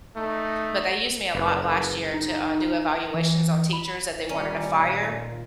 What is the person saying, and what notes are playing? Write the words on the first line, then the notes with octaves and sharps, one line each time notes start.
But they used me a lot last year to, uh, do evaluations on teachers that they wanted to fire.
A3 D#4
F#1 B4
D#4
E3
B5
A#2 D#3 G3 C#4 F4 D5 D#5 A#5